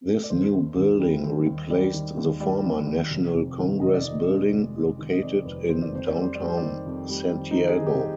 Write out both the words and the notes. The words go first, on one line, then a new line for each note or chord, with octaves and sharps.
This new building replaced the Former National Congress Building, located in downtown Santiago.
D5
D#2 C5
D#2
D#2
G3
D#2
D#2
G3 D5
D#3
D#2
G3 D5
D#2
D#2
F1
F2
D#3
F1 D#5
D5
F1 D#5
G#3
G#3
G#3
D#3
D#5
F2 D5
F1 B4
D#3 C5
D5
F2 C5
D5
G3
C5
G3 D5
C5
D5
D#3 C5
F2
G3
D#3
D#4
D#3
G#4
D#3
G4